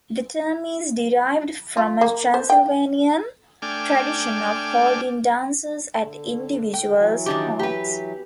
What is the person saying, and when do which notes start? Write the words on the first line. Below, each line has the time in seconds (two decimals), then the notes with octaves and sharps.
The term is derived from a Transylvanian tradition of holding dances at individual's homes.
1.77 F4
2.01 A#3
2.34 C5
2.50 G5
3.62 A3 D4 G5 G#5 D6 F6
6.01 D3
6.74 G5
6.97 E3 F#3
7.26 D#3 D4 G4
7.59 G4 B4